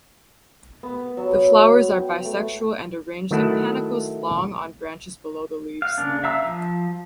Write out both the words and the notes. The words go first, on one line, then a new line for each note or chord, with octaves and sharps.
The flowers are bisexual and arranged in panicles long on branches below the leaves.
B3
F#3
G5
A3
D#3 F#3 A3 E4 F#5 A5
F5
C#3 A#3 D4
E5 F5 A#5 E6
F3